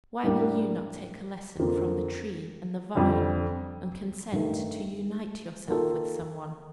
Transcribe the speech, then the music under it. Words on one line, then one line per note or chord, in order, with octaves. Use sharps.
Why will you not take a lesson from the tree and the vine, and consent to unite yourself with some one?
A2 G3 A#3 D4
F2 D3 F3 A#3
F2 D3 G3
G2 D#3 A3 D#4
D#3 A#3 F4 A4